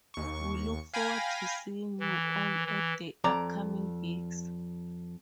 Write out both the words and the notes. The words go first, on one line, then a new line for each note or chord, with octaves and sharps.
We look forward to seeing you all at the upcoming gigs.
D#2 C#6
F5 G5 G#5 B5 A#6
E3
E3
F2 D5 A#5